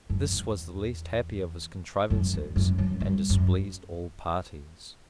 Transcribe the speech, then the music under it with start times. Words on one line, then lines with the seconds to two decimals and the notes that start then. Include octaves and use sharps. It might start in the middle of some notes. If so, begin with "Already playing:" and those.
This was the least happy of his contrivances, and displeased all parties.
0.10 F#2
0.32 E2
2.10 F#2
2.33 E2
2.56 F#2
2.78 F#2
3.00 G2
3.30 F#2